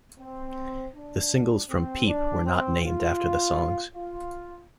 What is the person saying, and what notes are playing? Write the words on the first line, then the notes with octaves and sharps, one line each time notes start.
The singles from "Peep" were not named after the songs.
C4
D4
C4
D4
C4
F4
F4